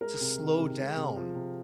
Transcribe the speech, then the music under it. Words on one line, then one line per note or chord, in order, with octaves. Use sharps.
to slow down
G#3 A#4
C3
D#3
C3
G#3
C3
F3
C3